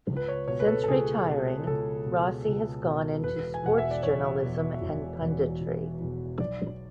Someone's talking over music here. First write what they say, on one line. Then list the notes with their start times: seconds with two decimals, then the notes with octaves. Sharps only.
Since retiring, Rossi has gone into sports journalism and punditry.
0.09 C#2
0.17 B4
0.28 C#5
0.48 B2 C#5
0.60 B4
0.67 A4
0.84 A4
0.88 C#2 G#4
1.28 B2
1.67 C#2 A4
2.06 B2
2.45 C#2
2.85 B2
3.24 E1 B4
3.54 G#5
3.63 E2 B2 F#5
3.78 E5
3.91 D5
4.03 E1 C#5
4.42 E2 B2
4.82 E1
5.21 E2 B2
5.61 E1
6.00 E2 B2
6.40 B1 D5